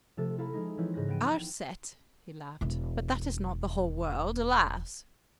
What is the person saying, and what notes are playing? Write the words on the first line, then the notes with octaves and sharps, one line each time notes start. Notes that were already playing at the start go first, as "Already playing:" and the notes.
"Our set," he laughed, "but that is not the whole world, alas!"
C3 F3 A3 A4
E4 A4 F5 A#5 B5
F3 G#3 D#4
E3 F3 C4 E4 B4 C#5
G#2 C#3 F#6 A#6
B3 G5 D7 D#7
E1 E4